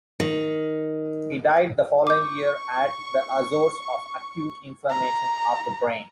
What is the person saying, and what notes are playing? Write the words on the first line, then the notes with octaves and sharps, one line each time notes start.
He died the following year at the Azores of "acute inflammation of the brain".
D#3
C#6 D6 G6
A#5